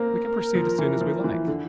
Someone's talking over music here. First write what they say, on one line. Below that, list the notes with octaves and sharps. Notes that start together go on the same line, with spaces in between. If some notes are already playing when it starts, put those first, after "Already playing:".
We can proceed as soon as we like.
Already playing: A#3 C4 A#4
F3
E3
F3
E3
D3